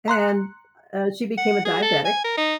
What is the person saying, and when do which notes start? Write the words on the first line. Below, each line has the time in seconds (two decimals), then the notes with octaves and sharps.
and, uh, she became a diabetic.
0.08 A#5 C6 F#6 C#7
1.38 F#5
1.65 G#4
1.82 A4
2.05 G#5
2.24 A#4
2.37 D#4